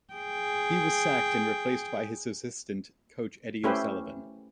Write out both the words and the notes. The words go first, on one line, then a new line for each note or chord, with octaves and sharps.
He was sacked and was replaced by his assistant coach Eddie O'Sullivan.
G#4 G5
A3 C#4 E4 G4 B4 C5